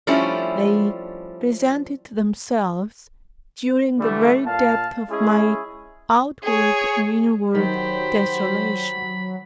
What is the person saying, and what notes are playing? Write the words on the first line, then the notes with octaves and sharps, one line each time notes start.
They presented themselves during the very depth of my outward and inward desolation.
F3 G3 A3 C#4 D4 E4
D3 E3 G3 A3
A#2 F5 A5
G#3 C#4 E4 G#4
G#4 C#5
D#3 F#3 G4 C5 B5